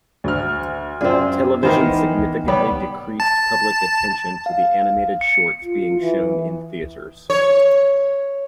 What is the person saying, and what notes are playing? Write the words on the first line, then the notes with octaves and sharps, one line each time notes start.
Television significantly decreased public attention to the animated shorts being shown in theaters.
D2 F6
F#2 C4 F4 G#4 D5
D#3 E3 B3 A#4 C5
G3 B3 B4 C#5
A5
F5
C#7
F4
E3
C#5